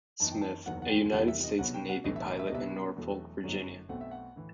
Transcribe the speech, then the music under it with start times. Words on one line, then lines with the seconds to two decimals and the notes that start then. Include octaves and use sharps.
Smith, a United States Navy pilot, in Norfolk, Virginia.
0.20 F#2 E3 B3 D#4 A5
0.31 G5
0.41 A5
0.66 F#1 E2 D#3 F#3 F#5
0.82 F#5
0.89 G5
1.13 E2 C3 D#3 G3 F#5
1.28 E5
1.44 D#5
1.59 C2 B2 F#3 B3 F#5
1.74 G5
1.89 F#5
2.04 B1 A2 E3 A3 D#5
2.16 E5
2.28 D#5
2.39 E5
2.47 D#5
2.51 C2 B2 G3 B3 E4 E5
2.96 E2 B2 F#3 A3
3.44 G1 F#2 F#3 A3 D#4
3.89 B1 B2 A3 C4 F#5
4.01 E5
4.11 F#5
4.36 A2 E3